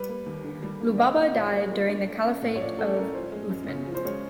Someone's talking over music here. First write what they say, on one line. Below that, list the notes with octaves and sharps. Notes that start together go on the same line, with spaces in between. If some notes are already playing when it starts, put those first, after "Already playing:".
Lubaba died during the caliphate of Uthman.
Already playing: G3 B4
A#3
D#2
D3
G3
A#3
D5
A#3 D#5
D4 D5
A#2 C#5
G3 D5
A#3
D4
A3
C#4
A2
C#5
F3 D5
A3 A4
C#4 A#4
F3 C5
G#3
F#2
C#3 C#5
F3
C5
G#3 C#5